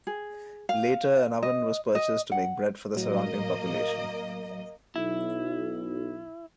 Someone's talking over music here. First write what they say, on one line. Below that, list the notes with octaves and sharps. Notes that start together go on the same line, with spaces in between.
Later an oven was purchased to make bread for the surrounding population.
G#4
F5
D#5
D#5
F#5
A2 F#3 A#3 D#5
B1 E4